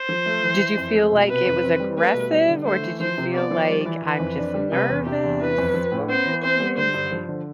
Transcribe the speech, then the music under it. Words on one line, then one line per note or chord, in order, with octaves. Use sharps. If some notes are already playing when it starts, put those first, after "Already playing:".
Did you feel like it was aggressive or did you feel like I'm just nervous? What were you experiencing?
Already playing: C5
F3
A3
E3
E3
F2
A3
B2
C3 B4
F2
C4
G3
A3 B4
B2
G3
D3
A3 C5
E3
F3 C5
C3
B3 D5
F3
G3
E3
E3 B4
F2
D4
G3
C3 B4
E2
C3 G4
E2
E3 B4
F2
F3
A2
B3 C5
E3
C4 C5
G3
D3 C5
G2
F3
D3